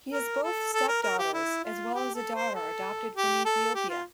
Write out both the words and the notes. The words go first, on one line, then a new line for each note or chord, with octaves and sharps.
He has both step-daughters, as well as a daughter adopted from Ethiopia.
A#4
A4
A4
A#4
A#4
G4
E4
F4
G4
A4
C5
A4
G4
A4
G4
F4